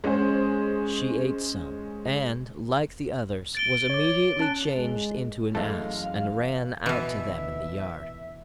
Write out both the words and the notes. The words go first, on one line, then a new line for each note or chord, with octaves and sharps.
She ate some, and, like the others, was immediately changed into an ass, and ran out to them in the yard.
G#3 C#4 G#4 C5
A6 D7 G7
C#5 D6
C#4 A5 F#6
G#3
F#2 E3 G#3 A3 F5
B2 E3 E5